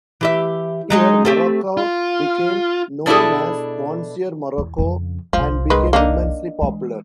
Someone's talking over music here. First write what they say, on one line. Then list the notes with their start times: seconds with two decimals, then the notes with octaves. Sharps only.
Here Marocco became known as "Monsieur Moraco", and became immensely popular.
0.21 E3 G4 E5
0.90 F#3 G#3 D#4
1.25 A3 C4 G4
1.77 F4
3.06 B2 D4 E4 G#4 A4
4.58 E2
4.78 F2 C#3
5.33 F1 C2 F3
5.70 D#3 G#3 B4
5.93 A#3 D4 D#4
6.62 E3 G#3